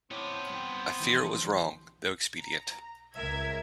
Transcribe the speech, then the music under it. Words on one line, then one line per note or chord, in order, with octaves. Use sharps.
I fear it was wrong, though expedient.
B3 C4 E4 G4 C#5
G2 G5
F2 D3 E3
A#5
C#2 A#4 E5 G#6